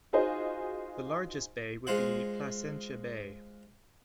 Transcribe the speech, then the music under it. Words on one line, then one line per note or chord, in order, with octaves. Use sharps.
The largest bay would be Placentia Bay.
D#4 F4 F#4 G#4 C5 D#5
G#3 F4 C5 F#5